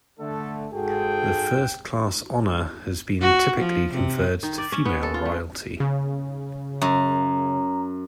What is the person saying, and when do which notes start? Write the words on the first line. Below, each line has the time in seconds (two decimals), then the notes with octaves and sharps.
The first class honour has been typically conferred to female royalty.
0.19 D3 A3 A4
0.73 G#2 F#4 G#4 A4 G5
3.21 F#4
3.60 F3
3.94 C3
4.43 D#3
4.58 D5
4.72 C#4
4.85 B3
5.03 A4
5.14 F4
5.25 A3
5.80 C#3
6.82 F#2 A#5